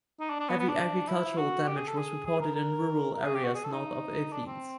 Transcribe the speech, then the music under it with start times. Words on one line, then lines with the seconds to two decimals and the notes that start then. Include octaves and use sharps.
Heavy agricultural damage was reported in rural areas north of Athens.
0.20 D#4
0.30 D4
0.40 D4
0.49 B3
0.60 B3
0.69 D4
1.08 E4
1.38 F#4
1.68 G4
1.76 G#4
1.87 A4
1.97 G#4
2.26 G#4
2.40 A#4
2.55 A#4
3.15 A#4
3.24 G#4
3.35 G4
3.45 F#4
3.54 G#4
3.64 A4
3.73 D#4
4.33 D4
4.46 C4